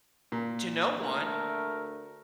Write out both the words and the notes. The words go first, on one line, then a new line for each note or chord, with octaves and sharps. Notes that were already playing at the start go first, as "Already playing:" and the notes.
to no one
A#2
D2 A3 A#4